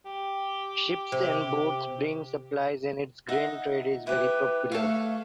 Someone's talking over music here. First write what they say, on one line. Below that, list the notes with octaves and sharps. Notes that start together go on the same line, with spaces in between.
Ships and boats bring supplies and its grain trade is very popular.
G4
C3
D#4 E5 F#5
E4 G4 B4
A3 A4 C#5 F5